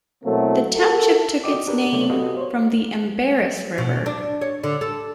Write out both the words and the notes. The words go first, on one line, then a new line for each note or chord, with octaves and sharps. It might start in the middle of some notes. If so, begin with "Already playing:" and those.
The township took its name from the Embarrass River.
B2 F#3 A3 A#3 C4 E4
F#4 A4 A#4
F#4 D5 D#5 G5 D6
D4 G4 A#4 B4 D5
C3 F#3 A3 C4 C#5 D5
F#4 G4 A4 B4 D#5 F5
C5 C#5
B2
D4
C#5
D3
A4